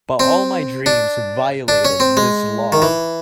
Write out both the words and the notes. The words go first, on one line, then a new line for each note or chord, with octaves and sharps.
But all my dreams violated this law.
C4
D4
D4
C#4
C4
G#3
D#3
E3